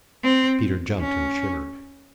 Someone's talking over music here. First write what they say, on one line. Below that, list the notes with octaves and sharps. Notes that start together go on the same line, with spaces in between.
Peter jumped and shivered.
C4
C#4